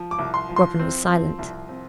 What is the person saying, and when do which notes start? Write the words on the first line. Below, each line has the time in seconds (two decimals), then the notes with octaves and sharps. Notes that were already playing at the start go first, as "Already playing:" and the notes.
Robin was silent.
Already playing: F3
0.11 D6
0.19 C2
0.34 C6
0.49 F3
0.56 C6
0.79 C4
1.09 F3
1.39 C2
1.69 C4